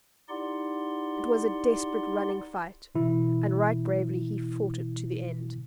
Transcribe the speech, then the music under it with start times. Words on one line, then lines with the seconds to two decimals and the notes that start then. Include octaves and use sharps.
It was a desperate running fight, and right bravely he fought it to the end.
0.29 D#4 E4 G4 D5 F#5 C6
2.95 B2 E3 E4